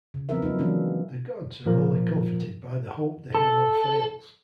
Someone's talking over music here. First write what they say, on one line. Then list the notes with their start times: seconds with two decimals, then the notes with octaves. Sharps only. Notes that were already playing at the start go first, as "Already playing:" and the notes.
The gods are only comforted by the hope the hero fails.
0.14 C#3
0.29 F3 B3 C4 E4 A#4 E5
0.42 F#3 A#3 D#4
0.59 E3 F#3 G#3 A#3 C#4 D4
1.66 A#2 F3 A#4
3.35 A4